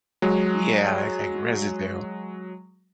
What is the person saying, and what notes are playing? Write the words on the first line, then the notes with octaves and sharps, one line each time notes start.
Yeah, it's like residue.
F#3 G#3